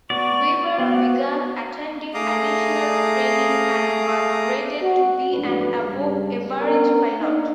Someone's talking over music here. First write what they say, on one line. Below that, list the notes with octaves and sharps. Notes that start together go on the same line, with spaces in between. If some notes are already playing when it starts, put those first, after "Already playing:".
Weaver began attending additional training and was graded to be an above average pilot.
B3 F#4 D5 C#6
B3 F#4 C5 F5 G5
A3 G#4 F5 A#5 D6 D#6
F#4
A1 F2 G#2 D4 B4
G2 C#3 G3
B3 C#4 D4 A#4
A#3 D4 D#4